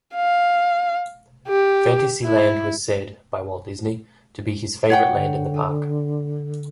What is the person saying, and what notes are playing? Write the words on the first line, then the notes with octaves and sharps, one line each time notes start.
Fantasyland was said, by Walt Disney, to be his favorite land in the park.
F5
G4
E4
C#5 F#5 G5
D3